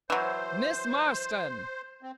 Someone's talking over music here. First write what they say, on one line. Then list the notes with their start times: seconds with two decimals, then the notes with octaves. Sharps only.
"Miss Marston!"
0.10 E3 F#3 C5
2.03 C4